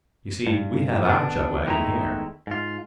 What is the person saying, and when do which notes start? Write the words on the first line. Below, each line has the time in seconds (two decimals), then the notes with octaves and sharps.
You see we have our chuck wagon here.
0.47 G2
1.05 B3 D4
1.67 E2 D#3 G#3 A3 E4 A#5
2.47 G#2 F4